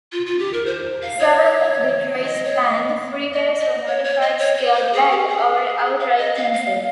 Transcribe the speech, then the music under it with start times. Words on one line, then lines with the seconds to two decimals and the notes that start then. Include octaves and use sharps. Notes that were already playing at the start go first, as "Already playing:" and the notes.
Several of Detroit's planned freeways were modified, scaled back, or outright cancelled.
0.12 F4
0.26 F4
0.39 G4
0.53 A#4
0.66 C5
1.02 F5
1.19 C#5
2.26 D#5
2.45 C#5
2.62 D#5
3.33 D#5
3.60 D#5
3.87 C#5
4.04 C#5
4.21 D#5
4.39 C#5
4.57 C#5
4.75 C5
4.93 G#4
5.11 G4
5.28 G#4
6.00 F5
6.18 D#5
6.36 F5
6.53 F5